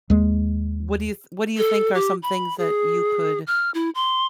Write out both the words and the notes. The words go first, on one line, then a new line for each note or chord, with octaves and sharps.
What do you th what do you think are some things that you could
D#2 G#3
A4
G4
B5
G#4
F6
E4
C6